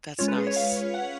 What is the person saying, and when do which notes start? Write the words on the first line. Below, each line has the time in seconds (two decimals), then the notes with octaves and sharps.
That's nice,
0.19 G#3 C#4 F4 C#5
0.28 B4
0.37 G#4
0.47 C#5
0.56 F5
0.94 F#5